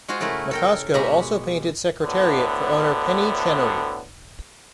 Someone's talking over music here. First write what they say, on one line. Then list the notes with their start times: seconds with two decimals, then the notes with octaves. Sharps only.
Menasco also painted Secretariat for owner Penny Chenery.
0.08 G#3 F4 F#4 G#4 C5
0.20 C#3 A3 E4 A#4 B4
0.51 A4 A#4 G5
0.94 B2 G#3 G4 A#5 B5
2.03 D2 A2 D3 B3